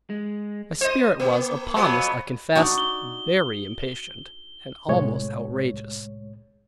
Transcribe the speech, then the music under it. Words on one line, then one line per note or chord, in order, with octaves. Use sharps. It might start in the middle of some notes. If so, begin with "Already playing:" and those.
My spirit was, upon this, I confess, very impatient, and almost outrageous.
G#3
C5 D#5
A#3
F2 F#3 B3
D4 D#4 F#4
G7
C2 A2 G#3 C#5